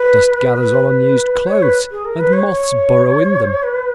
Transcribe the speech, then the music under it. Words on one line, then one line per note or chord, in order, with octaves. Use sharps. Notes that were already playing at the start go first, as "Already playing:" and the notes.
Dust gathers on unused clothes, and moths burrow in them.
Already playing: B4
B4
C#5
B4
G#4
A#4
B4
C#5
B4